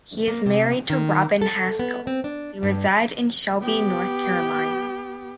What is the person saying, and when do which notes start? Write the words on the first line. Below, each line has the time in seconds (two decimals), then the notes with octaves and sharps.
He is married to Robin Haskell, they reside in Shelby, North Carolina.
0.28 A#3
0.46 C3
0.90 D#3
1.42 A4
1.79 B3
2.07 C4
2.24 D4
2.63 G2
3.62 B3 G4